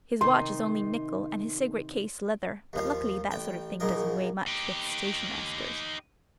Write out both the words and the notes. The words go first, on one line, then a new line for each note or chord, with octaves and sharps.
His watch is only nickel and his cigarette case leather, but luckily that sort of thing doesn't weigh much with station-masters.
C3 D#3 D#4 C6
D#2 F3 F5
A1 G5
A#1 F#2 C#3 D#4 A#4
D#4 G4